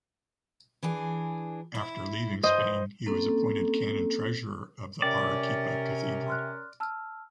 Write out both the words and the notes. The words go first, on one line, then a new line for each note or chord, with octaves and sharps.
After leaving Spain, he was appointed canon treasurer of the Arequipa cathedral.
E3 D4 G#4
E4
G2 C5 D#5
A#3 C4 C#4 A4
C3 C#4 A#4 D5 G5
C6 F6 F#6
A5 E6 F6